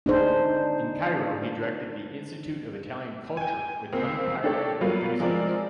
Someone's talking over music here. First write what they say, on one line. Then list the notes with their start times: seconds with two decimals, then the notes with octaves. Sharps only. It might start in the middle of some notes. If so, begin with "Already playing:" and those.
In Cairo he directed the Institute of Italian Culture with untiring enthusiasm.
0.06 D4 D#4 G#4 C5
3.37 G5 G#5
3.93 C#2 A#3 C4
4.44 D4 G4 A4 C#5
4.81 F#3 G3 A#3 B3 F4
5.20 F3 G#3 C4 A#4 D5